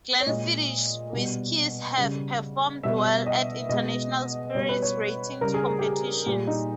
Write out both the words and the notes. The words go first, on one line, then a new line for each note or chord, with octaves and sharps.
Glenfiddich's whiskies have performed well at international spirits ratings competitions.
C#5
A#2 G#3 D#5
B2 G3
C#3 G3
B2 G3 E5
E5
D#5
B2 G#3 D#5
B2 G3 C#5
B4
C#5
C#3 G3 A#4
G#4
A#4
G4
G#4
A#2 G3 G4
D#4